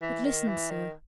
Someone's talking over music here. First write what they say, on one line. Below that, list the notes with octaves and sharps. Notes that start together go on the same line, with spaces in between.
But listen, sir.
E3
D#3
E3
D#3